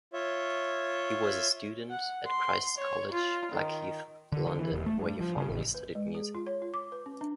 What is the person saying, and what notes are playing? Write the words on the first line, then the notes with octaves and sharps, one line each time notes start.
He was a student at Christ's College, Blackheath, London where he formally studied music.
F4 C#5 E5
F#5
C6
C#5
F4
D#3
D3
D3
E3
E1
A3
G2
F3
C#3
A1
B4
G#3
G#4
F4
C#5
F4
D6
B4
C#4
D4